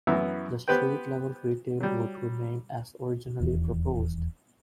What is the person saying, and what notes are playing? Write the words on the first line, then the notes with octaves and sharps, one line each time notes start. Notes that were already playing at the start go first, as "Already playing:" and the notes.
The street-level retail would remain as originally proposed.
F#2 E3 B3 E4 E5 A#5
B3 G4 B4 C5 G5
F#3 G3
D#1 E2